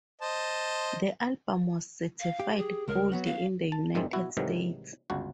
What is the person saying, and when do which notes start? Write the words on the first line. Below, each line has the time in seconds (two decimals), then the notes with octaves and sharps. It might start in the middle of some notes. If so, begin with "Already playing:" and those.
The album was certified Gold in the United States.
0.21 C5 D#5 A5
2.20 F5
2.40 G4
2.57 G#4
2.88 C#2 G#3 A#4
3.12 F#3 B3 F#4
3.26 F5
3.72 A5
3.95 G#1 F2 D#3 E3 G#3 C4
4.13 B2 E4 F#4
4.37 C2 G#2 C3 D#3 E3 F#3
5.10 G1 C#2 F#4